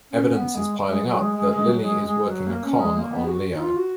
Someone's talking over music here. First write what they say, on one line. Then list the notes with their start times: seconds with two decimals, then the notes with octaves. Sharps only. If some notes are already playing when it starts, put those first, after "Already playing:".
Evidence is piling up that Lily is working a con on Leo.
0.11 C#4
0.33 B3
0.55 G#3
0.87 G#3
1.02 F#3
1.19 G#3
1.35 G#3
1.51 G#3
1.67 F#3
1.83 G#3
2.04 G#3
2.26 F#3
2.47 A#3
2.64 C#4
2.79 G#3
2.96 A#3
3.12 B3
3.24 G#4
3.28 F#4
3.55 D#4
3.60 F4
3.76 F#4